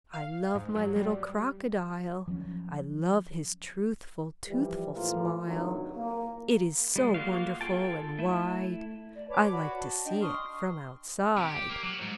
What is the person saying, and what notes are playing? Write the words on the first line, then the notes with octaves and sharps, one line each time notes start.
'I love my little crocodile, I love his truthful toothful smile; It is so wonderful and wide, I like to see it--FROM OUTSIDE.'
F5
G#2
F#3
G3
F3 F#3 A3 C#4
E3 F3 G3
A2 E3 F3 A#3 F4
G#1 G2 D#3 F#3 E4
A#3
G3 G#3
A#3 F4 F#4 F5
F4 G#4 A4 G5 A5
A3 E4
D5
B4 C#5 A5 D6
F#4 D5 B5
A5
D4 D#5 G5
C6 C#6 D#6 F6
C3 G4
G4
A#3
F#3
G#2